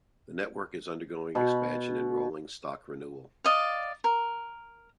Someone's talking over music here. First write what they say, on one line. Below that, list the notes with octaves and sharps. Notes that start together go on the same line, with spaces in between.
The network is undergoing expansion and rolling stock renewal.
B2 B5
D5 D#5 F5
A#4